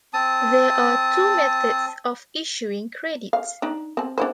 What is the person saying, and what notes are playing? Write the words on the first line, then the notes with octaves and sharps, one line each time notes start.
There are two methods of issuing credit.
C4 A5 D#6
F5
D4 D#4
C4 A5
D4 E4 C5